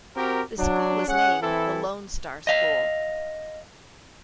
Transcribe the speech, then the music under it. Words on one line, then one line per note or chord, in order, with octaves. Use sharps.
The school was named, The Lone Star School.
C4 F#4 G4 A#4
F#3 D4
C#4 G#4 F#5
E3 C4 E4 A4
D#5 F5